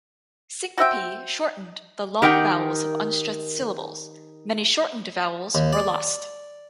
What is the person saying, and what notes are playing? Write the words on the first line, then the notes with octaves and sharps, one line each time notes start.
Syncope shortened the long vowels of unstressed syllables; many shortened vowels were lost.
F#4 C5 E5 G5
D#3 G4 A#4 F#5 G5
D#2
D5